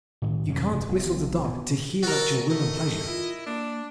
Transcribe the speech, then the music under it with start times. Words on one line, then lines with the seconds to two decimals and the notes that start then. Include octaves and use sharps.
You can't whistle the dog to heel at your will and pleasure.
0.22 A2 D#3
0.48 F2 C3 E3 C#4
0.69 F1 G2
0.89 B1 F3
1.44 B2
2.03 F#4 A4 A#4
2.51 A3 D#5
3.07 E4 F4
3.46 A#3 D4